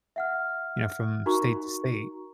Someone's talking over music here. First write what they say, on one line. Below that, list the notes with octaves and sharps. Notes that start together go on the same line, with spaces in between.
you know, from state to state.
E5 F#5 F6
D#4 F#4 A#4 A#5 C#6